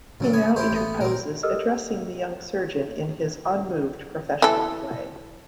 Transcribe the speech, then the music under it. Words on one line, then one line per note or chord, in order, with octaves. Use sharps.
He now interposes, addressing the young surgeon in his unmoved, professional way.
A1 A#2 D3 F#3 C#4 D4
B3 G#5 C#6
A1 E4 G4 C5
G1 A3 B3
A#2 C4 A#4
G4 A4 A#4 D#5 E6 F6
E3 A4